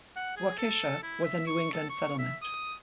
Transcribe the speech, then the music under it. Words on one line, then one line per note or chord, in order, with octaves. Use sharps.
Waukesha was a New England settlement.
F#5
G#4
A4
E4
E5
C#6
A4
C#6
E5
D#6